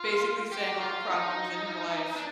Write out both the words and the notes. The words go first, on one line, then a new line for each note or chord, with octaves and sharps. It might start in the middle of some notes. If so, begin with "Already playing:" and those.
basically saying all the problems in her life,
Already playing: F4
G4
F4
D#4
D4